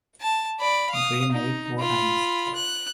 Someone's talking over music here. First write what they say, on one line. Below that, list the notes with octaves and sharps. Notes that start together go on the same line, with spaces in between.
Grey married four times.
A5
D5 B5
F5 D#6
D#4
F4 B5
F#6